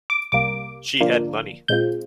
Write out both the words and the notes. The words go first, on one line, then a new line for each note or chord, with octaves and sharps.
She had money.
D6
C2 C3 G3 A#3 D6
D3 F3 A#3 D4 F4
A#2 G#3 C4 F4 G6